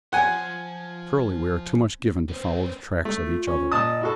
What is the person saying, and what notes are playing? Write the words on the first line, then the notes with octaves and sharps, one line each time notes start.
Surely we are too much given to follow the tracks of each other.
F3 F#5 G#5 C6
B3 C5
A3
F4
C#4
A#2 D#5 A5 D#6
E4 F#4 A4